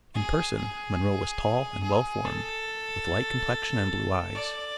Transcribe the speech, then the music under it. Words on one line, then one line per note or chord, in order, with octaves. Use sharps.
In person, Monroe was tall and well-formed, with light complexion and blue eyes.
G#4
G#4
G#4
A4
D5